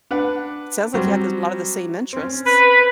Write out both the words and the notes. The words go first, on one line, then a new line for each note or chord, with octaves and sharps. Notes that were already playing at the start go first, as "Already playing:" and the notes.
sounds like you have the a lotta the same interests.
D4 B4 F#5
F#3 G3 C4
C4 C#4
B4